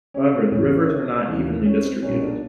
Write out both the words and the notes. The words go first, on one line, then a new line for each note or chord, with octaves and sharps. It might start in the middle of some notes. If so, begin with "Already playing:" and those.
However, the rivers are not evenly distributed.
C#4
C4
A1 A2 E3 C#4
D#2 C#3 E3 A3
C#4
C4
B1 A#2 G3 A#3 C#4
D4